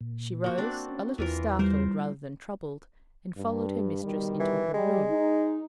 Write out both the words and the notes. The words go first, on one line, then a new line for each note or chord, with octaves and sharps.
She rose, a little startled rather than troubled, and followed her mistress into her room.
A#2
A#3 F#4
C4 D4 F#6
C#4
E2 E3 F4 A#4
G3 A#4 C5
G2
B2 D#3 G3
E3
G3 G#3
D#4